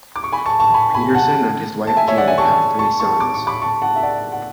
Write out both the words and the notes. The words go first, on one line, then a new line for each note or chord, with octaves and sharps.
Pederson and his wife Jeannie have three sons.
D6
C#6
G#5 B5
A5 C#6
A5 C#6
G#5 B5
G#5 B5
F#5 A5
A5
E5 G#5
C#5 E5
D5 F#5
E5 G#5
A5 C#6
A5 C#6
A5 C#6
D6
C#6
B5 D6
A5 C#6
F#5 A5
E5
D5 F#5
F#5